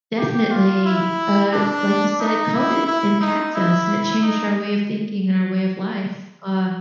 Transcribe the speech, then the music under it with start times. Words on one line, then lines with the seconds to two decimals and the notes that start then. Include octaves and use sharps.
Definitely. Uh, like you said, COVID impacts us, and it changed our way of thinking and our way of life, uh,
0.18 G4
0.51 F4
0.85 E4
1.53 D4
2.20 D#4
2.54 E4
2.87 E4
3.21 D#4
3.55 E4
4.23 D#4